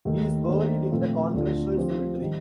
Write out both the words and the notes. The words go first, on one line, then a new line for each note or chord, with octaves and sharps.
He is buried in the Congressional Cemetery.
D#2 D#3 A3
D#3 A#3 D4 A4 C5
A#2 F3 A3 C4
D2 D3 A3 D4 F4
F3 C4 G4 C5
D#3 G3